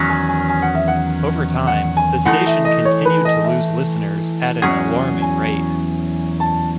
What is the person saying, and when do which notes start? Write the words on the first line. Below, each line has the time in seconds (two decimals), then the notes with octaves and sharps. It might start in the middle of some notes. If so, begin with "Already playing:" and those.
Over time the station continued to lose listeners at an alarming rate.
Already playing: E2 D#3 F#3 C#4
0.10 G#5
0.29 G#5
0.49 G#5
0.62 F#5
0.75 E5
0.88 F#5
1.67 F#5
1.97 G#5
2.26 E3 A3 D#4 F#5
2.46 E5
2.65 D#5
2.85 C#5
3.05 B4
3.25 D#5
3.44 E5
4.62 E2 B2 F#3 C#4 G#4 F#5
5.22 G#5
6.40 A5